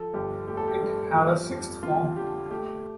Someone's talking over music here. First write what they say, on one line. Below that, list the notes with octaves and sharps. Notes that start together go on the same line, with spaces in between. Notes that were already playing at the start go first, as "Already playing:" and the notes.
It had a sixth form.
Already playing: F3 A4
G1 G4
A3 G4
A4
G4
G2
F3
F2
F2 F4
D3 G4
A3 G4